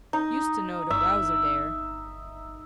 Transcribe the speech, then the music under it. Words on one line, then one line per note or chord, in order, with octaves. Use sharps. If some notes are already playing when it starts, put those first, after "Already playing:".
Used to know de Wowzer dere.
D#4
G1 E5